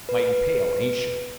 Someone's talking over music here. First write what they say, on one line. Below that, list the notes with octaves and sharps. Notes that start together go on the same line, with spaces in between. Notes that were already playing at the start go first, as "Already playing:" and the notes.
"Mighty pale, ain't she?"
B4